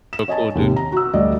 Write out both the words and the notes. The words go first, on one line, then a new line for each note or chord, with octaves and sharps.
Oh, cool, dude.
E7
C#5 D#5 G#5 A5
D#2 C3
A#5
F#4 E6
D2 G3 D5 D#5